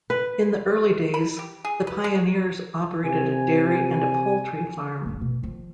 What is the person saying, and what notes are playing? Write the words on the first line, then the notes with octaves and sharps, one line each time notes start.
In the early days, the pioneers operated a dairy and a poultry farm.
B4
B5
G4
G#4
B4
G#3
C3 G#5
F#1 G#2
B2
D#3 F3